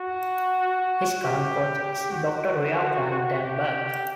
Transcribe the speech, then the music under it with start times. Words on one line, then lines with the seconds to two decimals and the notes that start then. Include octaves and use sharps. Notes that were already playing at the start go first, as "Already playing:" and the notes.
His current coach is Doctor Ria van den Berg.
Already playing: F#4
0.80 F#4
1.25 G4
2.11 F#4
3.42 G4